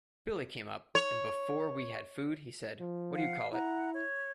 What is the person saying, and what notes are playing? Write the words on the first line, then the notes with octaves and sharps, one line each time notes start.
Billy came up, and before we had food he said-What do you call it.
C#5
F3
F5 F#5
E4 F#5 A#5
C#5